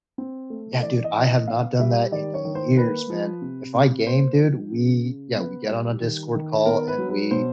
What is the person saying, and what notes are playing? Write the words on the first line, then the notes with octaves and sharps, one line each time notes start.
yeah, dude, I have not done that in years, man. If I game, dude, we yeah get on a Discord call and we
C4
A3
E3 D5
D#5
E3
D5
D#5
B3 F5
G3 E5
D#3 D5
C#5
D#3
C5
A#3 B4
F3
C3
C3
A#3 C5
F3
C#3
C#3
B3 B4
G3
D#3
D#3
B3 A#4
B4
F#3
B4
B2 C5